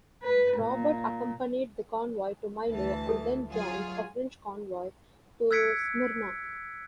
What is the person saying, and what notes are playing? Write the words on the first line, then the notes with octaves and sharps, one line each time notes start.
"Robert" accompanied the convoy to Milo and then joined a French convoy to Smyrna.
B4
A#2
D2 E3 A5
A4
F#3 F4 G#4
E6 F#6 G#6 B6 C#7 D7